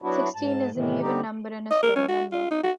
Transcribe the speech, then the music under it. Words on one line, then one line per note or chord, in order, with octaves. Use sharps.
Sixteen is an even number and a square number.
F#3 B3 D4 E4 F#4
G#2 A5
A2 C3 D#3 E3
D3 G3 C4 D#4 G4
D#5
A#4
C#4
F#4
F4
D#4
F#4